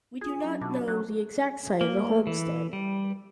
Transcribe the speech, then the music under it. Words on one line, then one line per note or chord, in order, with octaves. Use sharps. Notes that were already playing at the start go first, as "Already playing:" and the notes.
We do not know the exact site of the homestead.
F4 G#4
F#3 C#4 D4
B2 F#4 A5 D6
F#3 F#6
A#3
E3
G3